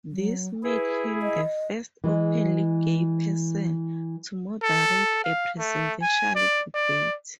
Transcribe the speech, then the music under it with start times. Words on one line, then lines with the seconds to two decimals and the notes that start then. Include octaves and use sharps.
This made him the first openly gay person to moderate a presidential debate.
0.11 F#3
0.63 E4 G#4 B4
1.22 D#5
2.04 E3 G#3
4.63 A4
5.24 F5
5.59 A3
6.02 G#5
6.35 D5
6.74 D5